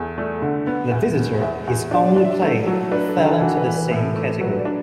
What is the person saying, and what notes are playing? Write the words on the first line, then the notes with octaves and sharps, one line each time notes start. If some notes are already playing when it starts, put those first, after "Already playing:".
"The Visitor", his only play, fell into the same category.
Already playing: E2 A4
A3 D5
D3
B3
E2
B3
E2 E5
E2
D4 D5
D5
D4
E5
A3 E4
F#3 A4
D4 B4
A4
D3
A4
E3 F#4
B4
E3
B4
A2 A4
A3
F#3 B4
D5
D4